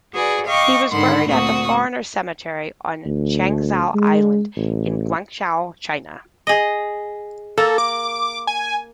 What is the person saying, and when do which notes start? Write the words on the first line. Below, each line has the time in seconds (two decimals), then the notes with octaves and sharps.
He was buried at the foreigners' cemetery on Changzhou Island, in Guangzhou, China.
0.11 F#4 G#4 B4 D5
0.44 D#5 F5 G5 C#6 D6
0.90 G#2 D3 D#3 F#5 B5 C6
1.26 D2 A#2 C4 F#4 C#6 D#6
3.05 D2
3.94 G#3
4.56 A1
6.47 G#4 D#5
7.58 A#3 A4
7.78 D6
8.47 G#5